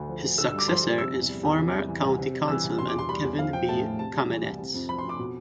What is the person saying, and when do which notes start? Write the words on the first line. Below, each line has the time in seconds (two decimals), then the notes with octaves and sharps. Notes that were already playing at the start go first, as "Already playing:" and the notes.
His successor is former county councilman Kevin B. Kamenetz.
Already playing: D2 D3
0.09 F3
0.23 D2
0.38 D3 E6
0.49 E6
0.53 G2
0.58 D6
0.68 F3 C6
0.83 G2
0.98 C3 E6
1.13 E2
1.28 G3
1.43 E2
1.58 C3
1.73 G3
1.89 E3
2.04 C2
2.18 C3
2.34 G3
2.48 E3 E6
2.64 C2
2.78 B2 C6
2.88 D6
2.94 E2 C6
3.09 G3 B5
3.24 E2
3.38 F3 F5
3.53 F3 G5
3.69 A2 A5
3.83 A2
3.98 C3 A5
4.13 G3
4.29 E3
4.44 C2
4.59 C3
4.74 F2
4.89 F3 B5
4.98 C6
5.04 F2
5.09 D6
5.19 B2